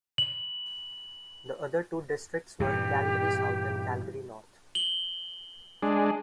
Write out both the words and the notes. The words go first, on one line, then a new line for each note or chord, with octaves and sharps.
The other two districts were Calgary South and Calgary North.
F#7
G2 A#2 E3 G4
F#7 G7
G#3 D4